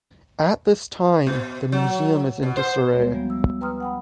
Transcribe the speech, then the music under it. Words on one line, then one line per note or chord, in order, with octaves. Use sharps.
At this time the museum is in disarray.
B2
F#3
B2
C5
D2 G3 G#3 B3 F#4 C#5
E3 F3 G3 A#3 B3
E6
B4 G5 A#5 C6 D#6 F6
F#5 G5 B5